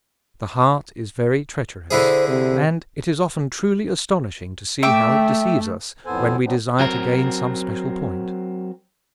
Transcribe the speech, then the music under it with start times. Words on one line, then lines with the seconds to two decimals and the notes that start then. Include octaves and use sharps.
The heart is very treacherous; and it is often truly astonishing to see how it deceives us when we desire to gain some special point.
1.91 D3 E4 G#4 C5
2.29 C3
4.83 A3 E5 G5 D6
6.06 F2 A2 B3 A4 C5 G#5
6.44 F3 F#3 B3 C4 D4 D#4
6.80 F#3 C4 A#4